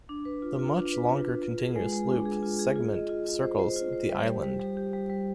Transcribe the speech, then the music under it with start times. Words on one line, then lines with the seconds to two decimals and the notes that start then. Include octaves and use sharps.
The much longer continuous loop segment circles the island.
0.09 D4
0.25 B4
0.42 F4
0.59 F4
0.76 D4
0.93 B4
1.09 F4
1.26 B4
1.43 F4
1.59 G#4
1.76 G#3
1.93 G#3
2.09 D4
2.25 G#4
2.43 F4
2.59 G#4
2.76 F4
2.92 D#5
3.09 F4
3.26 F4
3.43 C5
3.59 C5
3.76 F4
3.93 C5
4.09 G3
4.26 G4
4.43 G3
4.60 G3
4.77 G4
4.93 G3
5.10 G3